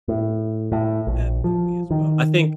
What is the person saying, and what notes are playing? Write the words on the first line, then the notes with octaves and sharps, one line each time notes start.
that movie, as well. I think
A2
A2
A#1
F3
D#3